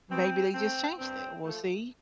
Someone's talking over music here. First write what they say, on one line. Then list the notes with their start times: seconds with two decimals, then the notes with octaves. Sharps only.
maybe they just changed it, we'll see.
0.10 B2 C4
0.54 A3 C4
0.99 G2 C4
1.43 F3 A3